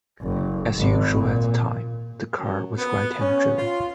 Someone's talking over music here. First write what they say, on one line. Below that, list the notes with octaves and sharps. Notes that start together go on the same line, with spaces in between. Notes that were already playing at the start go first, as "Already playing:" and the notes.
As usual at the time, the car was right-hand driven.
F#1
G#1
A#2
F#2
B3
C#4
F4